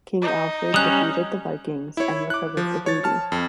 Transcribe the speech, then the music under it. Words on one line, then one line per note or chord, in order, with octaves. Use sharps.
King Alfred defeated the Vikings and recovered the booty.
D#4
G3 C#4 D#6 F#6
E4 C#5
D6 F#6
F3
C#5 A6
A5 F6
F2